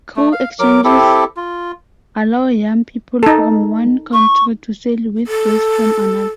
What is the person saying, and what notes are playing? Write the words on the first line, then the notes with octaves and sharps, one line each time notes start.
Crew exchanges allow young people from one country to sail with those from another.
A3
F5
F#3 A#4 D6
C4 E4 G4 A4
F4
D#4 A4
C#6
A4